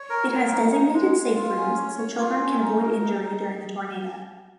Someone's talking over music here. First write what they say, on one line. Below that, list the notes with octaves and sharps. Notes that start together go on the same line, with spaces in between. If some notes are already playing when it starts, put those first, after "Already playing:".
It has designated safe rooms so children can avoid injury during a tornado.
Already playing: C#5
A#4
A#4
D#4
D#4
G#3
G#3
F4
C#4
C#5
C#5
F4
C#4
D#4
A#4
D#4
D#4